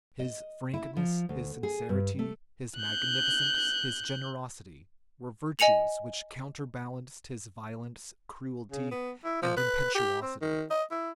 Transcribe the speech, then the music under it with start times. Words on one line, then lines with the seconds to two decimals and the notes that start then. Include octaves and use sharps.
His frankness, his sincerity, his magnificence, his generosity, were virtues which counterbalanced his violence, cruelty, and impetuosity.
0.20 D#5
0.74 E4
0.97 F3
1.29 D2
1.63 G#4
1.89 G2
2.19 A3
2.77 F#6 G6
5.59 D#5 G#5 C#7 F7 F#7
8.72 C#3
8.91 B3
9.24 E4
9.42 F3
9.57 B4
9.95 G4
10.22 C4
10.41 D#3
10.70 D#5
10.91 E4